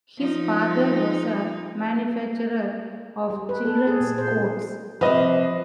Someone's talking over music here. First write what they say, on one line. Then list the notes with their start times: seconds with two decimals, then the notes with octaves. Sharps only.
His father was a manufacturer of children's coats.
0.18 F3 D#4
3.30 G3
3.49 B4
3.65 A4
3.87 G#4
4.00 A#2
4.18 C5
5.01 C3 F3 B4 D#5